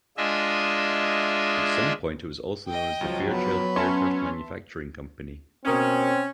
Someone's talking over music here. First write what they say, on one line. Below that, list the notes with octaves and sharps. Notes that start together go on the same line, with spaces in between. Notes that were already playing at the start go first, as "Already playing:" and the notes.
At some point, it was also known as the Fairchild Aircraft Manufacturing Company.
G#3 D4 F4 D#5 E5 G#5
D#5 G5
C#2 F3 F#3
B3 B4
C#4 E5 A5 C6
B2 C4 C#4 A#4 D#6